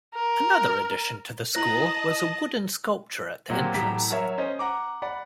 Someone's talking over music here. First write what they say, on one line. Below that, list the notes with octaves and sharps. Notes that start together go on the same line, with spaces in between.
Another addition to the school was a wooden sculpture at the entrance.
A#4
E4 C5 D#5 A5 D#6 A#6 F#7
A#2 F#3 C4 F#4 G4
A2 E3 F#3 G4 A#5 B6
F#3 A#4 C#5 E5
C#4 C5 D#5
F#5 A#5 D6
D5 F#5 B5